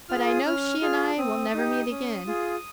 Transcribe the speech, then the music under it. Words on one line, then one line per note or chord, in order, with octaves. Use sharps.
But I know she and I will never meet again.
F4 G#4 F6
D#6
C#4 F6
F4 G#4
C4 D#6
D#4 G4
C#4
F4 G#4